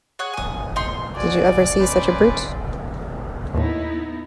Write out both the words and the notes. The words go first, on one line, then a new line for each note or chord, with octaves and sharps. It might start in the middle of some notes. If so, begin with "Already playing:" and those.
Did you ever see such a brute?
G#4 C#5 F#5
G#5 D#6
D#4 C6
F#4 D5 G#5
C#4 B4 C5
D#2 A2 B3 D#4 E4